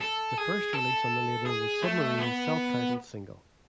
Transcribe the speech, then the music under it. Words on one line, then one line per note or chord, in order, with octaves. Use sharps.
The first release on the label was Submarine's self-titled single.
A4
G#4
A4
G#4
A3
B3